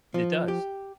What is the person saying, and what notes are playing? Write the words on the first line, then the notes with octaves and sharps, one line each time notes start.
It does.
F3
G4